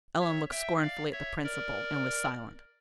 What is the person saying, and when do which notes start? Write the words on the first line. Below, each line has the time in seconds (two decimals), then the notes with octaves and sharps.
Eleanor looked scornfully at the principal, and was silent.
0.21 C#5 E5
0.51 E5 G5
0.82 D5 F5
1.12 C#5 E5
1.44 A#4 D5